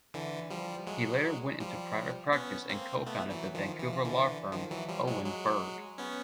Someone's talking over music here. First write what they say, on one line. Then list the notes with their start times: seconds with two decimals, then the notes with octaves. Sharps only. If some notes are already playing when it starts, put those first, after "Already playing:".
He later went into private practice and co-founded the Vancouver law firm Owen Bird.
0.14 D3 E3
0.50 F3 G3
0.87 F#3 G#3
1.60 F3 G3
2.32 B3 C#4
2.69 A#3 C4
3.07 A3 B3
3.30 E3 F#3
3.55 D#3 F3
3.79 E3
3.92 F3
4.05 D3 E3
4.52 D#3 F3
4.71 E3 F#3
4.88 F3 G3
5.07 F#3 G#3
5.25 F#3 G#3
5.98 B3 C#4